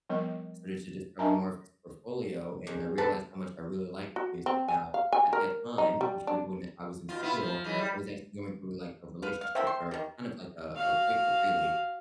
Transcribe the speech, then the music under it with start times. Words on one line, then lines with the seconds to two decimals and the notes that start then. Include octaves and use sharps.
I started to discover more of his portfolio and I realized how much I really liked his music, now at that time, which in when I was in school, I was actually going through like a relationship where it's kind of like a a breakup really,
0.10 F3 G3 B3 A#4 D#5
1.19 D4 A#4 D#5 E5 G#5 A#5
2.67 E2
2.98 D3 A4 B4 A5
4.16 F#4
4.46 C4
4.68 G#5
4.94 F5
5.12 G#5
5.33 A#4
5.78 D#4
6.01 G3
6.27 D4
7.09 B2 F4
7.22 B3 E4 F4
7.40 F3
7.64 F#2 E3 G#3
7.78 G3
9.22 B4 F5
9.41 F5
9.55 A3 A#3 E4 C5 E5 G5
9.67 C6
9.91 D#3 G3
10.76 F#4 F5